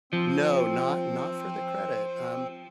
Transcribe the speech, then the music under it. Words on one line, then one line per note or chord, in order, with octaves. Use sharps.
No not not for the credit, um,
F3 C4